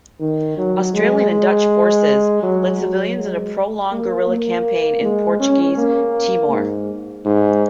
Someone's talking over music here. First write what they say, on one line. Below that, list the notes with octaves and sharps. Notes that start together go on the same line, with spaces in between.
Australian and Dutch forces led civilians in a prolonged guerilla campaign in Portuguese Timor.
D#3
F#3
G#3
G#3
F#3
F#3
G#3
A#3
A#3
G#3
C#4
A#3
G#2
G#2